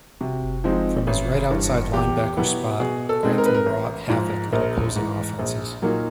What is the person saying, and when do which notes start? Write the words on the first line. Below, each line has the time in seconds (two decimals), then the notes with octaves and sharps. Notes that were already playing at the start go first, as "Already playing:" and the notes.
From his right outside linebacker spot, Grantham wrought havoc on opposing offenses.
0.21 C3 F#4
0.64 F3 G#3 C4 D#4
1.07 A1
1.51 G2 E3
1.93 E2 G4
2.37 B2 F#3 B3 E4
2.80 B2 G#4
3.09 A4
3.23 G#3 C4 D#4
3.38 A#4
3.46 B4
3.54 A#4
3.66 A1
4.09 G#2 F3 G#3
4.52 A#1 A#4
4.96 G#2 E3
5.39 A#1
5.82 A#2 F#3 A#3 D#4